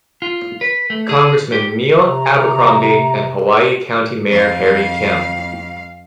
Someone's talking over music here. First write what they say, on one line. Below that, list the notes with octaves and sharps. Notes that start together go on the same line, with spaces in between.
Congressman Neil Abercrombie, and Hawaii County Mayor Harry Kim.
F4
B4
A3
G#4
G4
C3 A#5
F2 F5